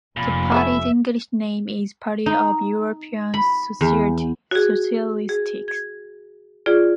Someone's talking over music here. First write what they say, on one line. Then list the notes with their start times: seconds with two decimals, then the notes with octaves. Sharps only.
The party's English name is "Party of European Socialists".
0.17 F1 A#2 B5
0.52 F3 A3 C#4 E5
2.26 D#4
3.34 B5
3.81 E2
4.51 F#4 G#4
5.29 G#4
5.68 G#6
6.66 F4 G#4 D5